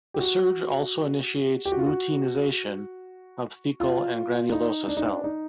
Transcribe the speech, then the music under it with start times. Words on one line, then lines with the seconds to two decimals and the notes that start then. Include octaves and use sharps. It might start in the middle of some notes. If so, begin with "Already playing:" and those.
The surge also initiates luteinization of thecal and granulosa cells.
0.14 G4
0.21 F#4
1.65 G4
1.72 F#4
1.79 F4
1.86 F#4
3.80 F4
4.52 D#4
4.88 D4
4.97 D#4
5.05 D4
5.24 D#4